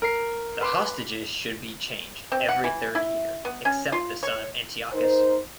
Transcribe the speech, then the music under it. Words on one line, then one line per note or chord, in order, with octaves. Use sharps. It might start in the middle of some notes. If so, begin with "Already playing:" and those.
The hostages should be changed every third year, except the son of Antiochus.
A#4 C7
B4 C6 D6
C4
F#5
E3
E4
B3
C#4
F4
C#5
D#4 A#4 C5